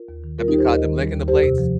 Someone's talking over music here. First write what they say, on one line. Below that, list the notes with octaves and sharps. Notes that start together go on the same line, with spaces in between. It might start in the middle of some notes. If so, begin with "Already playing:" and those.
Have you caught them licking the plates?
Already playing: F4 A#4
D#2
D#3
G3 F4 A#4
D#4 G4
D#2
G4 C5
D#2 A#4 D#5
D#3
G3
D#2
F2 G4 C5
C3
F3